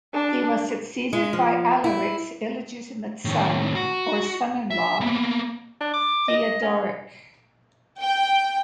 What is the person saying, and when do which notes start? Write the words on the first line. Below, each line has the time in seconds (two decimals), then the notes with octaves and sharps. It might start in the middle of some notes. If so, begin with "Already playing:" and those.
He was succeeded by Alaric's illegitimate son or son in law Theodoric.
0.14 D4
1.13 G#3
1.33 F3
1.84 E4
3.25 A2 D#3
3.75 F#4
4.71 E5
5.01 A#3 B3
5.81 D4
5.94 D6
6.28 D#5
6.62 C#4
8.01 G5